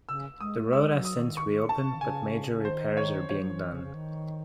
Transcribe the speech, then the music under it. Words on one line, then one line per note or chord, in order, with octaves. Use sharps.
The road has since reopened but major repairs are being done.
C#3 E6
G#3 D#6
A3
G#3 E6
F#3
D#6
D#3
C#6
A5
D#3
C#3 G#5
D#3 C5
C5
C#5
D#3 C#5
F#3
E3
C#3
C#3
D#3